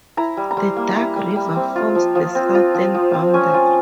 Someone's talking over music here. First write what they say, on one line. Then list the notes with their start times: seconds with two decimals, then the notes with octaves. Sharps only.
The Duck River forms the southern boundary.
0.17 E4 A#5
0.37 G3
0.51 A#5
0.57 G3 C6
0.77 A#3
0.96 E4 A#5
1.16 G3
1.36 G3
1.56 C4
1.76 F4
1.95 F3
2.15 F3
2.35 C4
2.55 F4
2.74 F3
2.95 F3
3.14 C4
3.34 C#4 G#5
3.54 F4